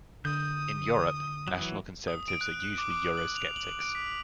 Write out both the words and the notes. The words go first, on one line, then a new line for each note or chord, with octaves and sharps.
In Europe, national conservatives are usually eurosceptics.
D3 D#6 G6
E3 F#3
D#6
D7
F#6
F#6
D6
D6
F#7
F7
F#7
D7
B6